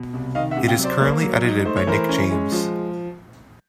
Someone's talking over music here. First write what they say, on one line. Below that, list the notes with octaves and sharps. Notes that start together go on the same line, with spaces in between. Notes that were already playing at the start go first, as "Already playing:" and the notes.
It is currently edited by Nick James.
Already playing: B2
C2
D#3 D#5 F5
E5 F#5
C3
F5 G5
F#3
C5 D5
A#3
F#3
D#4
A3 C5
C#5
E3 A#4 C5
C#4
G#3
F3